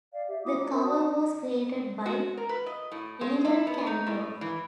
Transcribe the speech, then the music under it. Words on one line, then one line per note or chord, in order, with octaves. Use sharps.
The cover was created by Eliran Kantor.
D5 F5
G4 E5
E4 F#4 D6 D#6
D#4 F4
C#4 A#4 E5 C#6
F#4 A5 D#6
F#4
A#4
B4
D#5
A2
G#3
E4
B3
D#4
A2
E3